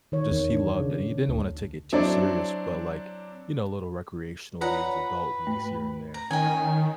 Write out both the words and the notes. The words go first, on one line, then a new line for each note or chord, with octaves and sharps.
just he loved it, and he didn't wanna take it too serious, but, like, you know, little recreational leagues, adult leagues here and there.
D#3 C#5
E2
D4
C#3
D2
F#3 C4 D4 E4 C#5 D5
F4 B4 C#5 D5 F#5 A#5
G#2 A3
A#5
D#3 C#4 G5 G#5